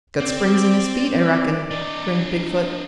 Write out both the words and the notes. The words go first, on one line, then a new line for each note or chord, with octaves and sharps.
"Got springs in his feet, I reckon," grinned Big-foot.
C4 D5
D4 D#5